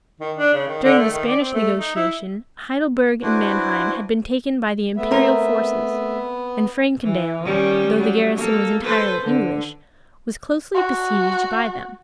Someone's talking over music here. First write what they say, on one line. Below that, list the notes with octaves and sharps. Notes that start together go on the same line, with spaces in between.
During the Spanish negotiation, Heidelberg and Manheim had been taken by the imperial forces; and Frankendale, though the garrison was entirely English, was closely besieged by them.
D#3
D4
C#3
D#3
D3
A3
D#3
D5
C4
A3
D#4
E4
D4 E4 F#4 B4 C5
A3 B3 E5
C4 A#4
E3
D#3 G3 C#4
F#3 G3
A#3 A4
A4 B4 C5
D3
F#4